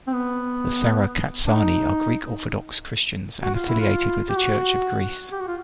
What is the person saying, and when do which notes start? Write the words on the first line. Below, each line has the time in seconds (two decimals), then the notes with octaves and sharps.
The Sarakatsani are Greek Orthodox Christians and affiliated with the Church of Greece.
0.07 C4
0.13 B3
1.47 D4
1.55 D#4
3.43 F#4
3.55 F4
3.68 E4
3.80 F4
4.29 G4
4.38 F#4
5.32 G4
5.40 F#4
5.47 F4